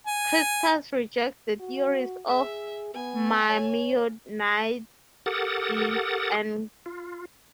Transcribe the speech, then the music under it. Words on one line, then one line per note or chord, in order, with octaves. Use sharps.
Crescas rejects the theories of Maimonides and Gersonides on this point.
G#5
F#4
G#4 E5
B3 G#5
C#5
G4 A4 A#4 F#5 D#6 A6
F4